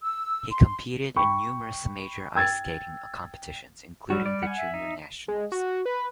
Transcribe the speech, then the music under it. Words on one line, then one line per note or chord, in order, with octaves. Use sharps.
He competed in numerous major ice skating competitions, including the Junior Nationals.
E6
C6
G5 B5 C#6
G5 E6 G#6 A6
F#3 G3 F#4
D5
F#5 G#5
E5
D#4
G#3
F#4
B4